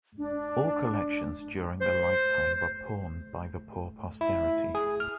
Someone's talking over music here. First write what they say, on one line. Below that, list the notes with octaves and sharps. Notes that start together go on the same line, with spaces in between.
All collections during the lifetime were pawned by the poor posterity.
D4
C5
E4
G#4
F6